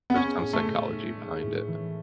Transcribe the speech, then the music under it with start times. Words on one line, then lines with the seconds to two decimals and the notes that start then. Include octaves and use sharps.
There's some psychology behind it.
0.10 B3
0.16 G#3 C#4
0.41 A2
0.53 A3
0.67 A2
0.92 D#4
1.17 G#3
1.43 A2
1.68 E3